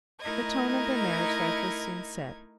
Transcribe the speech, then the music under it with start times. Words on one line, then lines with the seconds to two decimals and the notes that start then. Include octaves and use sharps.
The tone of their marriage life was soon set.
0.21 A3 D#4 E4 A#4 D#5 G#6